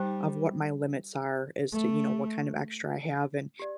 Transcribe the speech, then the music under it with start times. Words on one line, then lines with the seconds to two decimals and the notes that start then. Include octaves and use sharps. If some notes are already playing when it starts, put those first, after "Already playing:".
of what my limits are as to, you know, what kind of extra I have, and
Already playing: G3 D#4 G4 C5 G5
1.72 A3
3.59 G4 D5